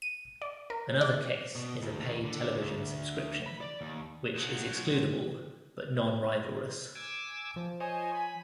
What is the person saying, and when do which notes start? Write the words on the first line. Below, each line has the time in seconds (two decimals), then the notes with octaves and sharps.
Another case is a pay television subscription, which is excludable but non-rivalrous.
0.02 D#7
0.42 D5
0.70 A#4
1.01 D5
1.56 B2
1.82 D2
1.99 D#2
2.25 D3
2.53 D2
3.46 B5
3.61 D5
3.81 D#2
4.35 B1 F#3
6.95 G#5 D6 E6
7.56 F3
7.80 C5 C#5 D#5 G#5
8.15 B5